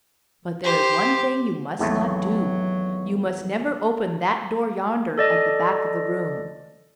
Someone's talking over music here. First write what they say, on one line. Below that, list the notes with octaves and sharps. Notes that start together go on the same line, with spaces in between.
But there is one thing you must not do: you must never open that door yonder at the back of the room.
G4 C5
G#1 E2 F#3 A3
A4 D5 D#5